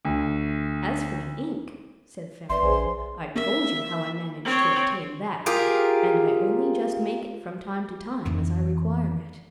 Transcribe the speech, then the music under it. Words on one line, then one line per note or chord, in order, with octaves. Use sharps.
"As for the ink," said Faria, "I told you how I managed to obtain that--and I only just make it from time to time, as I require it."
D2
G1 B4 D5 E5 C6
A#1 G#4 C5 G#5
A#3 E5
C4 C#5
F4 G4 G#4 A#4
F2 E3